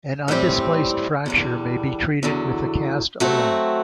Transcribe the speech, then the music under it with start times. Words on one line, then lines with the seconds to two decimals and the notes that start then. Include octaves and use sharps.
An undisplaced fracture may be treated with a cast alone.
0.28 A2 E3 G3 C4 G4
1.26 E2 D3 G3
2.23 E2 D3 F#3
3.20 F#3 A3 C4 F#4